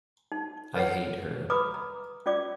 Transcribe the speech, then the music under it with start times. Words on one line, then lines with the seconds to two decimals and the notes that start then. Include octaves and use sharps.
I hate her.
0.32 D#4
0.76 B4 C#5 F#5
1.50 B4 A#5 B5 D6 D#6
1.74 A#5
2.26 C#4 F4 D5 D6